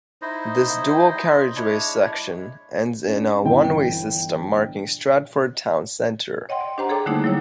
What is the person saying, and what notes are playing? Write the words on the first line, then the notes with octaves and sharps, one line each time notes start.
This dual carriageway section ends in a one-way system marking Stratford town centre.
D#4 E4 C5 D#5
G#3 D4 E4 C#5
C#4 D4
G1 E3 E4 G5
C#5 D#5 F#5 G5 C6
D5
D4 G4 C5 F#5 A#5
G#4 A4 C#5 G5 A#5 D6
D3 G3 A3 A#3 D#4 E4
F#3 G3 E4 C#5